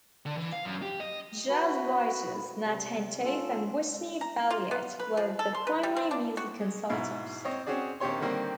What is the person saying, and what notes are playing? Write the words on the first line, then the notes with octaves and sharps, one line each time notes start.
Jazz writers Nat Hentoff and Whitney Balliett were the primary music consultants.
D3
E3
F5
F#2
G4
D#5
F#4 B4 B5
C3 G3
C#4 F4 A4
A#5
F4
B3
B4
F3
A4
C6
B4
G3
C4
D4
F#4
G#3
G#2 B2 E4 F5
C4 C#5 D#5
C4 C#4 F#4 G#4 D5
A#1 D#3 C4 G4 C#5 C6
D3 D#3 G3 A#3 C4